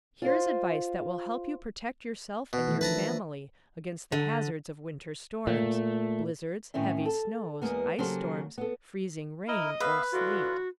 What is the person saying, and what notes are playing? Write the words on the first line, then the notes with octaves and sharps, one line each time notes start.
Here is advice that will help you protect yourself and your family against the hazards of winter storms--blizzards, heavy snows, ice storms, freezing rain, or sleet.
F4 C5
B2
D#3 E3 A3
F3 D4 B4 A5 A#5
D3
A#2 A3
A2 D#3 C4 C#4 E5
A4
E2 G#3 A#3 B3
C#3 F#3 A#3 G4 A4 C5
B3 A4
E4 A#4 D#5
B3 B4 E5 F5
A2 D3 E3 F4 F#4